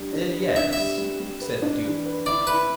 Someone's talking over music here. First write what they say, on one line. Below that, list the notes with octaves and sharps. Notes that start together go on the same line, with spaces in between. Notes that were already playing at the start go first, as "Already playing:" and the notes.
"Yes," said the Duke.
Already playing: G3 D4
D4
B4
D4 E5
G3 E5
G3
G3
B4
D4
E3
B4
E4 D5
E4 B4